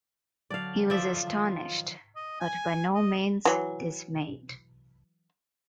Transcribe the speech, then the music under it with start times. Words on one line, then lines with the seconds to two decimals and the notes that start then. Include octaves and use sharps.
He was astonished, but by no means dismayed.
0.50 D3 F#3 D5 F5
0.90 F3 F4 D5 E5
1.27 D#3
2.16 D#5
2.40 G#5
2.94 D#5
3.45 E3 F#3